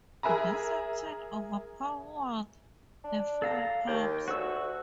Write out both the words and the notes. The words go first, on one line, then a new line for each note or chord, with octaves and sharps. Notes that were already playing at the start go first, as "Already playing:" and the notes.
This in turn overpowered the fuel pumps.
G#4 A#4 E5 G#5 A#5
D4
A4 F5 A#5
D#2 G5
D2 F#4 E6